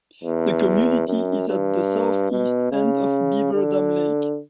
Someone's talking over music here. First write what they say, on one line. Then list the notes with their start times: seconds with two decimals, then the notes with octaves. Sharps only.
The community is at the southeast end of Beaver Dam Lake.
0.24 E2
1.07 F#2
1.48 G2
2.31 B2
2.72 C#3
3.54 D3